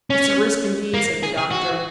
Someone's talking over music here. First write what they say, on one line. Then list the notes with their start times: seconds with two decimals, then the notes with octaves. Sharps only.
"It's a risk indeed," said the doctor.
0.10 C#4
0.94 A#3
1.23 G#4
1.37 G#4
1.51 F#4